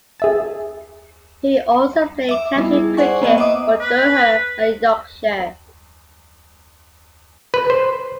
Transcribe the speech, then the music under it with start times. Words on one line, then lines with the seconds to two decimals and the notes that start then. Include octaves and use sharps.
He also played county cricket for Durham and Yorkshire.
0.20 G#4 E5 A5
2.29 E5 D6
2.56 G3 B3 D#4 E4
2.73 G#4
2.97 C5 D5 F#5 G#5 C#6
3.22 A#3 B3 D#5 F#5
3.38 D#5 E5 D6 D#6
3.80 B4
7.54 B4
7.70 C5